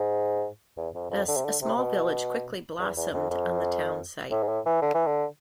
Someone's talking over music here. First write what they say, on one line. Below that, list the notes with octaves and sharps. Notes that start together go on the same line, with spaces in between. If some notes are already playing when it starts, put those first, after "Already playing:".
Thus a small village quickly blossomed on the town site.
Already playing: G#2
E2
F2
F2
D3
C3
D3
C3
B2
E2
E2
F2
F2
A2
G#2
A2
E3
D3
E3
D3